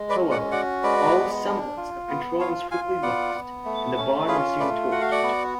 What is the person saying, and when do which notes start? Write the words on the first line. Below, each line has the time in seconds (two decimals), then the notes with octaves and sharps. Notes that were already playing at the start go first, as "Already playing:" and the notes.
However, all semblance of control was quickly lost and the barn was soon torched.
Already playing: G#3
0.09 B4 D5
0.21 C#4
0.31 D5 F#5
0.52 F#4 D5 F#5
0.83 G#3 B4 D5
1.15 B3
1.46 D4
1.77 F4
2.09 B3
2.39 F4 C#5 F5
2.71 F4 F5 G#5
3.02 B3 D5 F#5
3.34 B3
3.65 A3
3.97 C#4
4.28 F4 G#4 B4
4.60 A3 B4 D5
4.92 F#4 F#5
5.01 F5
5.12 D5 F#5
5.23 B3